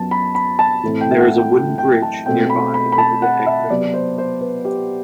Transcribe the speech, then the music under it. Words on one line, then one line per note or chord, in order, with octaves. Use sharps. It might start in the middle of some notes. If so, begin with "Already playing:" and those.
There is a wooden bridge nearby over the Eg River.
Already playing: F#2 F#3 B3 A5
B5
B5
A5
A2 E3 A3 C4
G5
E5
F#5
G5
G5
G5
A5
B2 A3 C4 G5
B5
B5
B5
A5
F#5
E5
C3 F#3 B3 D5
C5
C5
B4
G4